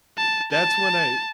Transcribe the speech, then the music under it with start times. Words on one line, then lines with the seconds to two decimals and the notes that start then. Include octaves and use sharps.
That's when I y
0.18 A5
0.52 A5